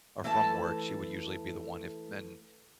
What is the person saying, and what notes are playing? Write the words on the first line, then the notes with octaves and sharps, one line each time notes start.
or from work, she would usually be the one, if men
E3 A3 A4 F#5 A5